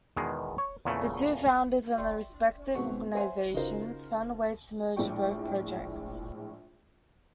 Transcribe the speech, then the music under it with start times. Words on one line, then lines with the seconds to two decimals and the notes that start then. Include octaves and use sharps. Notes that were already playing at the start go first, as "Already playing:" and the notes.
The two founders and the respective organizations found a way to merge both projects.
0.16 E2 B2 D#3 G#3
0.58 C#5
0.85 E2 A#2 C#3 A3
1.98 D5 E5 G5 C6 C#6
2.75 G#1 B2 B3 C4 F#5 C#6
3.15 C5 C#5 E5 F#5 G#5 C6
3.54 C#3 D#4 F4 F#4 A#4 C5
4.96 A#1 A2 G#3 D5 G5 C#6